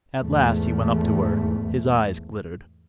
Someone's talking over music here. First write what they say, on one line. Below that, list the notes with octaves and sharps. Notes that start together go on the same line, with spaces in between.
At last he went up to her; his eyes glittered.
E2 G#2 A3